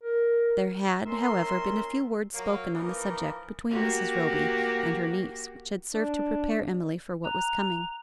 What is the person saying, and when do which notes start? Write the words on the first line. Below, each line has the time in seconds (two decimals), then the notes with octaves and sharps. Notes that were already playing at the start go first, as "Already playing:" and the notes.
There had, however, been a few words spoken on the subject between Mrs. Roby and her niece which had served to prepare Emily for what was coming.
0.03 A#4
1.06 A#2 C#4 A#4 E5 C6
2.34 F#3 A#3
2.74 E3 F3 A#3 D#4 A#4
3.70 A#3 F#4 G4
5.94 D4
7.24 A#5 F#6 F7